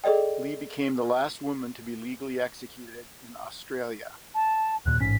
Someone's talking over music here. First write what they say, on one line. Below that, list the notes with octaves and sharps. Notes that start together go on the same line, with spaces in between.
Lee became the last woman to be legally executed in Australia.
G#4 A4 D5 D#5 G5
A5
D1 D#2 A#2 F#6
A1 G#2 C#4 B6